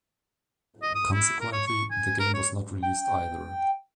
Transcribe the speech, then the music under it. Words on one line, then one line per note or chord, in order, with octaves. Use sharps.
Consequently, the game was not released either.
D#5
D#6
E4
A#4
C#5
C#6
G#5
A#4
C#5
G5